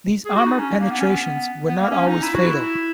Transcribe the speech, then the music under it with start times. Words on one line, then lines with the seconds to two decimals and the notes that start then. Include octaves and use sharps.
These armour penetrations were not always fatal.
0.25 G#4
0.36 F#4
0.47 D#4
0.59 C#4
0.80 A#3
0.91 B3
1.00 C#4
1.09 B3
1.68 B3
1.79 A#3
1.91 C#4
2.07 D#4
2.23 E4
2.34 F#4
2.47 E4